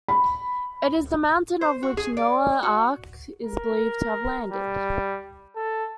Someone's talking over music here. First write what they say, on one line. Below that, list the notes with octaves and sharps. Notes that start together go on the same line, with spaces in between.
It is the mountain on which Noah's Ark is believed to have landed.
B5
C5
F#4
G#4
D5
F#4
A#4
G3
A4